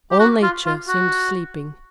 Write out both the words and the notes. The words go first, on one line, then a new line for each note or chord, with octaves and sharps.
All nature seemed sleeping.
G4
F#4
F4
F4
F#4